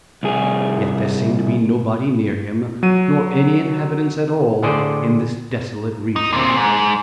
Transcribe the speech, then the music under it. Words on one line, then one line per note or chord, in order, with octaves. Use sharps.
Yet there seemed to be nobody near him, nor any inhabitants at all in this desolate region.
C2 G#4
F#3 D#7
A2 D3 G#4 C5 D5 D#5
D#4
A#2 C4
G#2